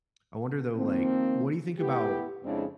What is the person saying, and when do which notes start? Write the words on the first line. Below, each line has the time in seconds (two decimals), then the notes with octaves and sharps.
I wonder, though, like, what do you think about
0.76 D#3 F3 A#3 C4
1.79 A3 B3 E4 G4
2.44 F2 C#3 G#3 C4 D4 E4